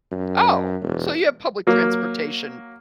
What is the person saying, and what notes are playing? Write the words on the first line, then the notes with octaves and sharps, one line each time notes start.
Oh, so you have public transportation
F#2
E1
F#3 A#3